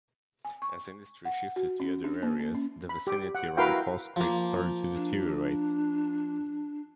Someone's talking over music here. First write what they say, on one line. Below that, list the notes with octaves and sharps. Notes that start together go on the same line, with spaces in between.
As industry shifted to other areas, the vicinity around False Creek started to deteriorate.
G#5
C#6
F#5
F#4
C#4
D4
A#3
A#3
C#4
B5
G4
F#5
E4 F#4 A#4 B4 F5 G5
F3 A#3
D4